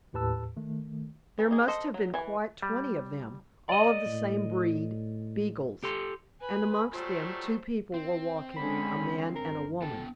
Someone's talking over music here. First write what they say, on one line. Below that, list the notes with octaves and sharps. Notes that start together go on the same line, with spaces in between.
There must have been quite twenty of them, all of the same breed--beagles--and amongst them two people were walking, a man and a woman.
D#2 A2 G4 B4 A5 E6
D#3 A3
E3
D#4 G#4
A4 C5 D#5
F#3
E3 G#5
G3
D5 D#5
A2
G4 A4 C6
B4 G#5 B5
F#3 G3 A3 F4 C5
C4
D3 G#3 C#4 B5
G1 A#4
B3 A4 G5 A5